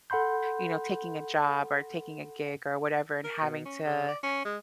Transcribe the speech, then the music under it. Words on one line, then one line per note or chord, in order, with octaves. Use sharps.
you know, taking a job, or taking a gig, or whatever, and having to
A4 F#5 B5 C6 G6
A#4
B2
C#4
C#3
D5
C#4
G#3